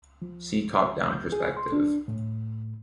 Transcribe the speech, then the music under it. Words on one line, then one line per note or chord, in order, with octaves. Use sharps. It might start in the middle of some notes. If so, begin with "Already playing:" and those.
See top-down perspective.
F3
G6
G#4
C6
D4
A2